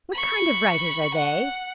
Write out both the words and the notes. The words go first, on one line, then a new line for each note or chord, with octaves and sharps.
What kind of writers are they?'
B5 C#6
F#5